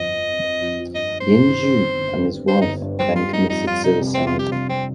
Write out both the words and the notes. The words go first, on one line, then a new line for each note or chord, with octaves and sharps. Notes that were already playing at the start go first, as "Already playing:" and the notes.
Yin Jiu and his wife then committed suicide.
Already playing: G1 F2 F3 C4 D#5
F3
C4
C4
F2
F3
G2 D#5
G2
C5
G1
D#3
C4
G1
G1
G2
C4
G2 C5
G1 D#4
G2
G3 C4
G3 F4
G3 D#4
F2 D#4
F2 F4
C3 D#4
C3
F2 C4
F4
G3 G4
C3 F4
G3 C4